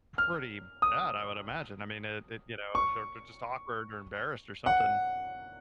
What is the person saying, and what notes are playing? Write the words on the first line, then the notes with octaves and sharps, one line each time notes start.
pretty bad, I would imagine, I mean, it it, you know, they're they're just awkward, or embarrassed, or something.
F6
D#6
C#6
F#5